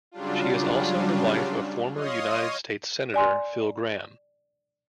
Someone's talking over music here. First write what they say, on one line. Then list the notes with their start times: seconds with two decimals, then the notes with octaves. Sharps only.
She is also the wife of former United States Senator Phil Gramm.
0.11 C#3 F#3 G3 D4 F4
1.94 C#5 D#5 F5 C6 D#6
3.14 D5 G#5 C6